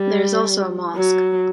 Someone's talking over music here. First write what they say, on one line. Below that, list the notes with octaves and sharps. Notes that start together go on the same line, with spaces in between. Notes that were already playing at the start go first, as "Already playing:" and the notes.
There is also a mosque.
Already playing: G3
F#3